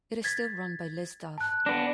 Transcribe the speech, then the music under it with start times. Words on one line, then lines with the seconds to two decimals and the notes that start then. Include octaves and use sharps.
It is still run by Liz Dove.
0.24 G#6 A6 B6
1.38 A5 F#6
1.66 B3 D4 A#6